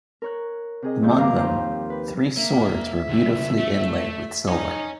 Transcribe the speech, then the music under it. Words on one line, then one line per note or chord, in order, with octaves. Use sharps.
Among them, three swords were beautifully inlaid with silver.
A#4 C#5 F#6
C3 G#4 D#5
G2 D#3 A#3 G6
G2 D3 F3 F5 A#5 D6
D#2 F3 G4 C5 A#5
B4
A#3 E5
C#3 E4
A3
D#4 C#5 G#5